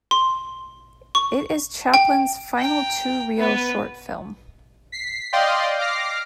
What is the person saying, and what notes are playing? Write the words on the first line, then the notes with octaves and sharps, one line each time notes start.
It is Chaplin's final two-reel short film.
C6
C#6
G5
G5 A#5
B3 B4
B6 C7
D5 D#5 F5 G5 C6
D6 F6 A#6 C7